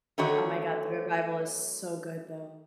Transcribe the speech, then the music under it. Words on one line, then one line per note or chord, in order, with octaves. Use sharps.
Oh my god, the revival is so good, though.
D3 D#3 F#3 A3 F#4 C#5